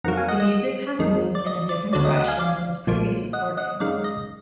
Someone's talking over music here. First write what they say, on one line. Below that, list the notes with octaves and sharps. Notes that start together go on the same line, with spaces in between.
The music has moved in a different direction than his previous recordings.
F2 D#3 F#3 A#3 F#5 A#5
F5 G#5
D#5 F#5
D#5
F2 D#3 G#3
D5
D#5
D5
D2 D3 F#3 D5
D#5
D#5 F#5
F5 G#5
D5 F5
B1 A#2 F3 A#3
D#5 F#5
D#5 F#5
F#2 D#3 G#3 D5 F5
D#5